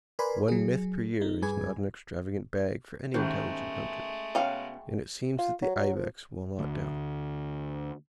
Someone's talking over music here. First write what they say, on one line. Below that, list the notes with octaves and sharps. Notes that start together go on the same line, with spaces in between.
One myth per year is not an extravagant bag for any intelligent hunter; and it seems that the "ibex" will not down.
A#4 B4 D5 G#5 B5 C6
F#3 G#4
D#4
G2 G#4 B4 G#5 G#6
G#2 B2 D#3 G#3 A3 C#4 G4 C5
B2 C#4 F5 G5
F4
F#3
F#3
F3
D2